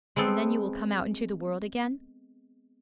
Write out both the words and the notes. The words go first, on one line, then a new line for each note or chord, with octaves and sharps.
'And then you will come out into the world again?
G#3 B3 C4 A4